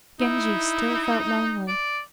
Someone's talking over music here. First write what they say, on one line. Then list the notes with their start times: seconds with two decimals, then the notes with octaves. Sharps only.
Genji still felt lonely.
0.20 D#4 E4
1.68 D5